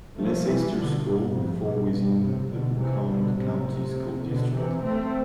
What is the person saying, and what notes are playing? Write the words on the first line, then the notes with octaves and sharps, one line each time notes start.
Leicester's schools fall within the Buncombe County School District.
F3 A3
E3 G3
B2 D3
G2 B2
F2 A2
G2 B2
G2 B2
A2 C3
B2 D3
C3 E3
B2 D3
A2 C3
B2 D3
C3 E3
A3 C4